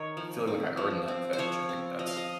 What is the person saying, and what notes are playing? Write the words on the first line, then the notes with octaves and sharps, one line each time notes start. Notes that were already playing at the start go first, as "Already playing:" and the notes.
I feel like I earned that veg. I think that's
Already playing: D#3 A#4 C#5
F3
C4
F3
C4
C5
F3 C#5
C4
F3 D#5
F5
D#5